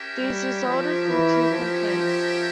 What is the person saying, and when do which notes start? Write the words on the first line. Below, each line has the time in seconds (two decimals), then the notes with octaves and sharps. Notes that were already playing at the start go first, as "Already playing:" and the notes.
These resulted from two complaints.
Already playing: C#4 G4 A#4 E5 G5
0.21 G3
0.64 F3
1.08 E3
1.51 F3
1.94 F3